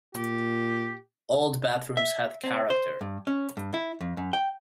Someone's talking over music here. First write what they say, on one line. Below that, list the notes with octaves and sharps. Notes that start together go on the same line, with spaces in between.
Old bathrooms had character.
A#2 G4
E5
C4
C5
G2
C#4
G2
E4
F2
F#2
G5